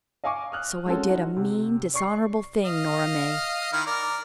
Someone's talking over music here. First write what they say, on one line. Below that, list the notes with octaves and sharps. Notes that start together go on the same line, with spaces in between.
So I did a mean, dishonourable thing, Nora May.
D#5 F5 G#5 C#6 D6
D#6 F6 F#6
G#3 C4 C#4 F#4 A4
D#4 F#4
C3
D5 C#6 C7
D#5 F5
D#3 E4 F6
A#4 D5